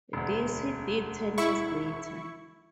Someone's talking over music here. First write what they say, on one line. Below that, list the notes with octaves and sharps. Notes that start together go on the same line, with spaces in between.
This he did ten years later.
E1 D2
E4 C#6